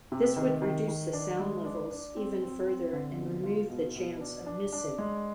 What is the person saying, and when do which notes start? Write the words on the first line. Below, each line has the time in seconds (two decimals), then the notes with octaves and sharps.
This would reduce the sound levels even further and remove the chance of missing.
0.12 C3
0.36 D#3
0.62 D#3
0.88 D#3
1.13 D4
1.39 G#3
1.65 D4
1.91 D4
2.17 C4
2.42 C4
2.67 C4
2.93 D3
3.19 B2
3.44 F4
3.70 B2
3.96 B2
4.21 D4
4.46 D4
4.73 D4
4.99 G#3